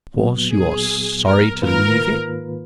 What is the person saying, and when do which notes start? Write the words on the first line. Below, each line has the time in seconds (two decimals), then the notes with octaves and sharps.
"Because you are sorry to leave it?"
0.14 A#2 F#3 B3
0.51 G#4
1.25 A#4
1.62 G#2 D#3 A#3 F4 A#4 B4